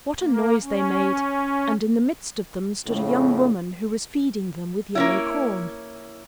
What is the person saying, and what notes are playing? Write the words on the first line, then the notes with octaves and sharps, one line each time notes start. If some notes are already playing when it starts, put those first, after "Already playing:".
What a noise they made; and in the midst of them stood a young woman who was feeding them with yellow corn.
A#3
C#4
F2 A2 C#3
A#3 C#4 E4